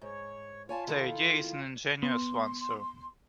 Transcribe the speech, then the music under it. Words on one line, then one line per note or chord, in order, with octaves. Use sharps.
The idea is an ingenious one, sir.
G#2 C#5
F4 C#5 G#5 A5
D#3 E4 A4
B3 C6